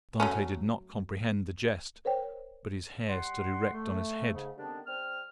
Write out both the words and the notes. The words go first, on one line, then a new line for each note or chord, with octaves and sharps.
Dantes did not comprehend the jest, but his hair stood erect on his head.
F#3 A3 C#4
A#4 C5 C#5 G5
G3 F#5 C6
A3
G#2 C#3
D3 D#3 G3 B3 C4 D4
G3 C4 G5 F6